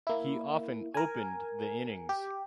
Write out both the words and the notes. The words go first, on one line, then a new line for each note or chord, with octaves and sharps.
He often opened the innings.
A#3 E4
A#4 G#5
G4